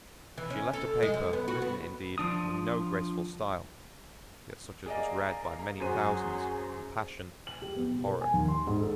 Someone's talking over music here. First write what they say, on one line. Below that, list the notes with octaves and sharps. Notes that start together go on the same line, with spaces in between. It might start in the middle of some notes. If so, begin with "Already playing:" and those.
She left a paper written, indeed, in no graceful style, yet such as was read by many thousands with compassion and horror.
E3
C#4
A4
G#3
F#2
B3
F#4
B3
F3 D4 D#6
A#3 G#4 D5 D#5
F#2 F#3 G#4 C5 D#7
F#7
G4
B3
B2
A#4
G#5
D#2
C6
G#2
A4